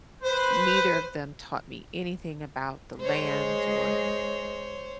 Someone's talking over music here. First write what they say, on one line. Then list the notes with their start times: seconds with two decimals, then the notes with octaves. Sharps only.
neither of them taught me anything about the land or,
0.22 B4 C5
3.00 G#3 C5 C#5